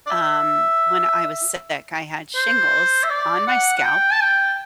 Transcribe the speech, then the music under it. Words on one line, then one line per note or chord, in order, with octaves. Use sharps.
um, when I was sick. I had shingles on my scalp,
D5
E5
C5
E5
D5
F#5
F#5
G5
A5
G5